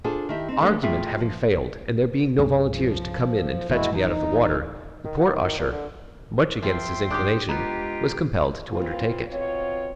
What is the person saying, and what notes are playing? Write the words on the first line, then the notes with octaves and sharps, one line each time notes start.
Argument having failed, and there being no volunteers to come in and fetch me out of the water, the poor usher, much against his inclination, was compelled to undertake it.
D4 F4 G#4 A4 C5
D#3 E4 G4
C4 D#4
D3 G#3 A3 B3 D4
A2 F4 G#4 E5 G5
F3
C2 G2 C#4
F3
F1 A#2 E3 G#3 E4 F#4
D1 E3 D#4
D#3
F#4
D#3
D#3
A#2
D3
F3 E5 G5 C6
G#2 D4 G4 D#6 G6
G#3 B3 F4 G4 A#5
E3 A#3 C4 F4
B2 C4 F4 C#5